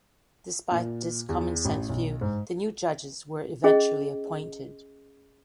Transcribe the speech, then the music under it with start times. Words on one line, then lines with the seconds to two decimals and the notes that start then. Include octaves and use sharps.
Despite this common-sense view, the new judges were eventually appointed.
0.71 A#2
1.29 E2
1.65 A1
1.89 B1
2.21 G#2
3.64 C#4 G#4 D#5